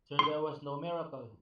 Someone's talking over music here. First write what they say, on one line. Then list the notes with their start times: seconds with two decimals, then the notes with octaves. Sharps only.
So there was no miracle?
0.19 C6